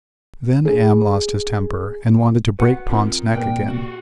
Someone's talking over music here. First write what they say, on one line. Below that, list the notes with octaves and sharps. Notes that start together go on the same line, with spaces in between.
Then Am lost his temper and wanted to break Pont's neck again.
G#4
F#4 B4 F#5
D#3 C4 F4 A#4
A#2 B3 A#4 B4 G5
F4 F#4